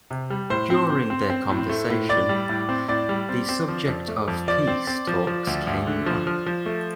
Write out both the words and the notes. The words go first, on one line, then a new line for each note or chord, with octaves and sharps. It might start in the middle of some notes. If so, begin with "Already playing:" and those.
During their conversation, the subject of peace talks came up.
C3
G3
A2 C5
C4
C4
C4
C4
A2
A3
A2
A2 D5
G3
A2
C4
A2 D5
G3
C4
C4
F3
F2
A3
F2
F3 D5
C4
C4
F3
F3
D2
D2
D3
F3
F3
F3
A3